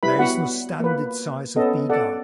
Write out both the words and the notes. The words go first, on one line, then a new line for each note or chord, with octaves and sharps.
There is no "standard" size of bigha.
G3 E4 B4 B5
B3 F#4 F#5
A#3 B4
B3 C#4 A4 D#5
A4 D5 F#5